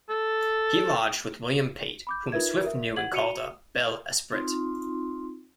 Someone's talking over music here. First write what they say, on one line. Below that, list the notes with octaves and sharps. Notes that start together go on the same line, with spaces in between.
He lodged with William Pate, whom Swift knew and called a "bel esprit".
A4
B5 D6 G6
D#4 F4 A#4 B4 E5 G#6
A#4 E5
F#5 G#6 F#7
F#4 C#7 D#7 F7 G7
C4 D#4 F4 C6